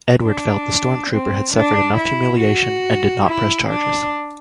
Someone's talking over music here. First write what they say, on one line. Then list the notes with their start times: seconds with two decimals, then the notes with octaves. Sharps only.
Edward felt the Storm Trooper had suffered enough humiliation and did not press charges.
0.25 D4
1.11 C4
1.54 D4
1.97 E4
2.40 F#4
3.27 E4
3.69 D4